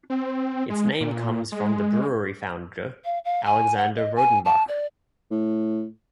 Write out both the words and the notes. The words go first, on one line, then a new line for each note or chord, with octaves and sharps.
Its name comes from the brewery founder, Alexandre Rodenbach.
C4
G#3
A#2
G#3
F5
F5
G#5
F#5
D#5
G#5
A5
D5
A2